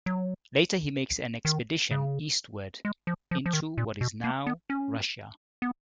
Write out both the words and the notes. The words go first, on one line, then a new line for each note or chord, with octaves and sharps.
Later, he makes an expedition eastward into what is now Russia.
F#3
D#3
C#3
G#3
F3
F3
F3
D#3
A#2
B2
A#3
B3
C#4
B3